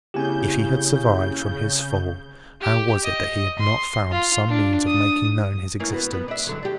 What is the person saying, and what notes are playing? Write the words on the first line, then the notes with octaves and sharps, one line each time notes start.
If he had survived from his fall, how was it that he had not found some means of making known his existence?
C#3 A#3 C4 E4 G4 G#5 G6
G4
D#5
C6
F4
D4
D#6
E3 A#3 C#4
B3 F#4
B3
D4 E5
G2 D3 F#3
D4 G4